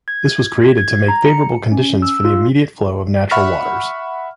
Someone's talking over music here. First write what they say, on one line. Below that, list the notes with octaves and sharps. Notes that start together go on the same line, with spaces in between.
This was created to make favorable conditions for the immediate flow of natural waters.
G#6
G#6
A#5
C#7
C#4
E6
F4
E5 F#5 B5 C#6 F6